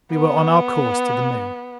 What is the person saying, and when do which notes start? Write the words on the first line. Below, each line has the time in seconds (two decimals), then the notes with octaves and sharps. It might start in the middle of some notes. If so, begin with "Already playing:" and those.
We were on our course to the Moon.
0.14 B3